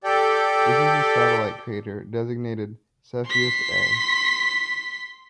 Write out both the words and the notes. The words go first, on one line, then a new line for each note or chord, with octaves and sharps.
This is a satellite crater designated Cepheus A.
G4 A4 D5 G5
C6 B6